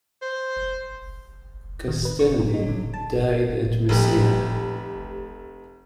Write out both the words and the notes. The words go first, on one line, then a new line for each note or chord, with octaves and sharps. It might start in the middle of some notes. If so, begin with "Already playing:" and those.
Castelli died at Messina.
C5
D#3
B4
C#6
A#2
D#4
D3
A5
F1 A3 G4 B4